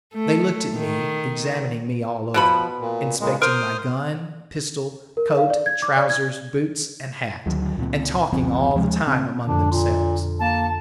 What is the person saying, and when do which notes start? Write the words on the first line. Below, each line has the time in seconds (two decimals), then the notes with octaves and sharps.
They looked at me, examining me all over, inspecting my gun, pistol, coat, trousers, boots, and hat, and talking all the time among themselves.
0.14 A3
0.75 D#3
2.34 B2 F3 B3 B5
2.80 A#2
3.21 A#2 C#3 G#3
3.42 A#4 C5 D#6 F6
5.17 A#4
5.37 F5
5.50 D5
5.66 G#6
5.82 D6
5.97 D5
6.10 G#6
7.46 D2 D#3 F#3
7.77 C#2 A#2 C4
8.32 F#1 D2 F3 C4
8.74 D#2 F3 G#3
9.07 C#3 C4
9.46 F2 D3 D4
9.71 A#2 C6
10.41 A#3 A5